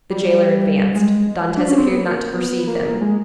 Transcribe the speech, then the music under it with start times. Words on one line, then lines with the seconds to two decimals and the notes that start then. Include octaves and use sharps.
The jailer advanced; Dantes appeared not to perceive him.
0.10 G3
0.95 G#3
1.57 D4
1.68 C#4
1.78 C4
1.88 B3
1.98 A#3
2.32 B3
2.67 A#3
3.01 G#3